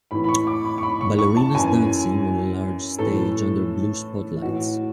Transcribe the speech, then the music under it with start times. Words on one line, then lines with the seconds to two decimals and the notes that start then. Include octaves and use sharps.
Ballerinas dancing on a large stage under blue spotlights.
0.11 A2 E3 B5
0.24 B5
0.29 C#6
0.47 D6
0.65 B5
0.78 C#6
0.83 B5
1.01 C#6
1.19 C#6
1.37 A5
1.55 F#2 E3 G#5
2.99 A2 E3 A4
4.42 A2 E3 F#4